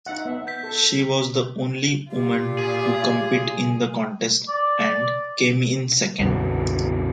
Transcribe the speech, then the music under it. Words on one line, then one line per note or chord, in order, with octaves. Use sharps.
She was the only woman to compete in the contest and came in second.
D#4 E5 F#5
B3 E5
G6 B6
A4
A#2 F4 G4
G#4
D5
C2 F#2 B2 D3